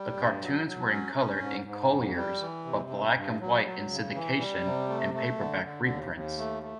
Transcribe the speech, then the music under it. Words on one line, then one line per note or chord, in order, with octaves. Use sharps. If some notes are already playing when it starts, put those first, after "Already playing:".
The cartoons were in color in "Collier's" but black-and-white in syndication and paperback reprints.
Already playing: G3
G2
F#3
F#3
C#4
C#4
G#2
G#2
F2
G3
E3
C3
G2
G2
F#3
F#3
C#3
E3
G3
C3
A3
A3
D3
D3
D#2
D#2
A3
A3